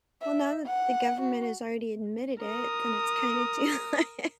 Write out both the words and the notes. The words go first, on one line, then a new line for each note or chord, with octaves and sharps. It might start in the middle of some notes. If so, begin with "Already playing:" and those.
Well, now that the government has already admitted it, then it's kinda do, like
E5
F#5
F#4
A#4 D#6